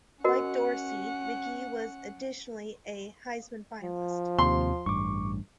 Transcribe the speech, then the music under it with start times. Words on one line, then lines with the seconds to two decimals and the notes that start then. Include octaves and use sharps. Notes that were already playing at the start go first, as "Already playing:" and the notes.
Like Dorsey, McGahee was additionally a Heisman finalist.
0.24 C#4 F#4 A#4 D#5 F#5
3.83 F3
4.39 D#2 C3 C6
4.86 A1 G2 C#6 D6